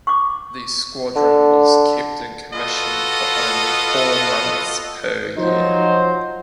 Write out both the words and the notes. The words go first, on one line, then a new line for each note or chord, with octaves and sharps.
The squadron was kept in commission for only four months per year.
C#6 D6
D3
F4 F#4 A4 B4 D#5
F3 F#3 D#4 C5